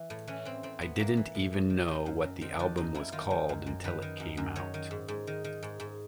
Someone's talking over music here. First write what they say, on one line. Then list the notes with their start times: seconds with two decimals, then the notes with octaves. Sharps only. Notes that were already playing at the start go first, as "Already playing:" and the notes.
I didn't even know what the album was called until it came out.
Already playing: E3
0.10 A2
0.27 E3 C#4
0.45 E3 C4
0.63 A2 C4
0.81 A2 B3
0.99 E3 A#3
1.17 E3
1.35 A2
1.53 A2
1.70 D#3
1.88 D#3
2.06 F#2
2.24 F#2
2.41 D#3 C4
2.59 D#3 D4
2.77 F#2 D#4
2.95 F#2 E4
3.12 D#3 F4
3.30 D#3
3.49 F#2
3.66 F#2
3.84 D#3 B4
4.02 D#3
4.20 F#2
4.37 F#2
4.56 D#3 C#5
4.74 D#3
4.91 G#2
5.08 G#2
5.27 D#3
5.44 D#3
5.63 G#2
5.80 G#2